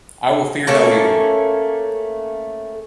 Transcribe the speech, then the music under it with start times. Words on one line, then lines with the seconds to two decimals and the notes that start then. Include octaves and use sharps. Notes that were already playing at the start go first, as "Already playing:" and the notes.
I will fear no evil.
0.67 A3 A#3 C#4 A4